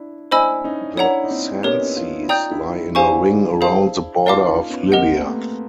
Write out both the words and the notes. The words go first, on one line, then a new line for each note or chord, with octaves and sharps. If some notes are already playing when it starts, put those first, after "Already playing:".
The sand seas lie in a ring around the border of Libya.
Already playing: D4 E4
D4 E4 C5 D#5 G#5 B5 E6
C#4 D#4
D4 E4 C#5 F#5 A#5
D#4
C4 D4
B3 C#4 G4 A#4 C#5
C#4 D#4
D#4 F4
E4
D#4 F4 D5 G5 A#5 D#6 G6
D4 E4
D4 E4 G4 C5 F5 G#5 C#6
G#4 C5 F5 A5
D#4 F4 A#4 D5 F5 A5 D6
C#4 D#4
B3 C#4
A#3 C4 G4 A#4 D#5 F#5
A#3
A3 B3